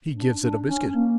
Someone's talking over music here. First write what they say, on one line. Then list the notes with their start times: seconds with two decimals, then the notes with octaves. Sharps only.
He give it a biscuit.
0.15 D4
0.40 D4
0.67 C#4
0.93 A#3